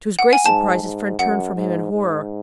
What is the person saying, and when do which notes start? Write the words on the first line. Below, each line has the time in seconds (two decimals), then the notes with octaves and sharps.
To his great surprise his friend turned from him in horror.
0.19 F#5
0.33 G#5
0.45 G#2 A5
0.82 G#2
1.19 F#2 F#5
1.56 G#2
1.93 G#2